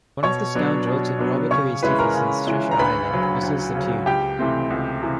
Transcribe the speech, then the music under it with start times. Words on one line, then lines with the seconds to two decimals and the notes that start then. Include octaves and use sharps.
One of the scoundrels in Robert Louis Stevenson's "Treasure Island" whistles the tune.
0.23 B2 C#5 C#6
0.55 F#3 B3 D4
0.87 B2
1.19 F#3 B3 D4
1.51 C#3 C#5 C#6
1.83 E3 G#3 C#4 E4 B4 B5
1.99 A#4 A#5
2.14 C#3
2.47 E3 G#3 C#4 E4
2.71 A#5
2.79 D2 B4 B5
3.10 C#3 F#3
3.43 D2
3.75 C#3 F#3
4.06 C#2 G4 G5
4.39 C3 E3 A3 C4
4.70 C#2
5.03 C3 E3